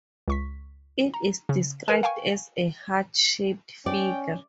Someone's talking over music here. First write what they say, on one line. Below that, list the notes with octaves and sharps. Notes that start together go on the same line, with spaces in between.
It is described as a 'heart-shaped' figure.
C#2 C#6 B6
A#5
C#3
A#4 B4 G#5
F5 G5 G#5 C#6
C#4 D5 G5